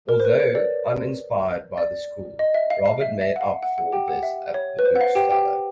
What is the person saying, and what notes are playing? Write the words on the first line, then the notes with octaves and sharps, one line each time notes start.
Although uninspired by the school, Robert made up for this at the bookseller.
A#4
C5
B4
C#5
D5
D5
D#5
E5
F5
F5
E5
E5
F#5
F5
F#5
F#5
G4 G5
F#5
E5
C#5
B4
C5
F#5
F5
G4 G5
G4 G5